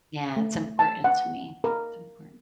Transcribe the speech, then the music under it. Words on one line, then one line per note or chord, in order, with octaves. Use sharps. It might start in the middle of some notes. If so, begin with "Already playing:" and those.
Yeah, it's important to me, it's important.
A3
A5
F#5
A#4